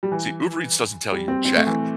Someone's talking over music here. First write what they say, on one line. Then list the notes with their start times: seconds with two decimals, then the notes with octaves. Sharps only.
See, Uber Eats doesn't tell you jack.
0.03 G3
0.12 E3
1.12 G3
1.28 C4
1.45 C4
1.56 A3
1.67 E3